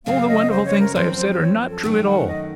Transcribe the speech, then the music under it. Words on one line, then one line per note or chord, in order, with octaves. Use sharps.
All the wonderful things I have said are not true at all.
F#2 C#3 A3 C4 F#4 F5
D#5
C5
C#5
A#4
F#2 F3 C4 C5
C5
C5
C#5
A4
F#2 D#3 A3
F#5
D#5